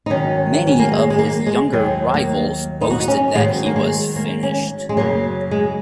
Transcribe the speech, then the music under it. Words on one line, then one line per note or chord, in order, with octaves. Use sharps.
Many of his younger rivals boasted that he was finished.
D#4
G#2 D#3 F#3 C#4
C#4
A#3
G#3
G#3
A#3
G#3
D#2 D#3 F#3 G#3
A#3
D#4
F#4
D#4
C#4
G#2 D#3 F#3 G#3
A#3
G#3
A#3
C#4
G#3
F#2 C#3 F#3 A#3
G#3